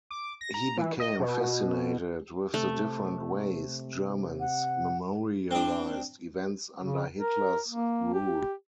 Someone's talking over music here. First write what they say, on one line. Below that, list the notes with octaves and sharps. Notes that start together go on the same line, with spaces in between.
He became fascinated with the different ways Germans memorialized events under Hitler's rule.
D6
A#6
A#5
E3
D#5
B2
C3 A3
F#5
C4 D4
C#3
A#4
A#3
G4